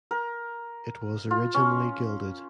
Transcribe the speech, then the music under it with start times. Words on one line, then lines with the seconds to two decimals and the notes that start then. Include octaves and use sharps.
It was originally gilded.
0.11 A#4
1.31 F4
1.54 C#4